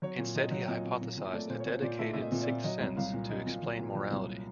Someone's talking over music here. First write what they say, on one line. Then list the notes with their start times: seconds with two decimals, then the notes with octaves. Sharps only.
Instead, he hypothesised a dedicated "sixth sense" to explain morality.
0.02 F#3 C#5
0.18 A#2
0.36 F#3 D#5
0.51 F#3
0.68 A#2 D#5
0.85 A#2
1.01 A#2
1.17 A#2
1.33 A3 D5
1.50 A#2 C5
1.60 C#5
1.65 A#2 C5
1.82 A#2 D5
1.99 A3 E5
2.14 A#2 E5
2.21 D#5
2.32 A#2
2.42 D5
2.48 A#2
2.64 F#3 D#5
2.80 C2
2.97 C2 F5
3.13 A#2
3.30 F#3 D#5
3.47 A#2
3.63 F#3
3.79 A#2
3.95 F#3
4.11 C2